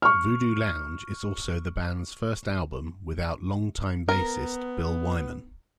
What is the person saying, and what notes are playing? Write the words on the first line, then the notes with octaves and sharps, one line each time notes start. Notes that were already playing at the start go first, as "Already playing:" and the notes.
"Voodoo Lounge" is also the band's first album without long-time bassist Bill Wyman.
C#6 F6
B3 A#4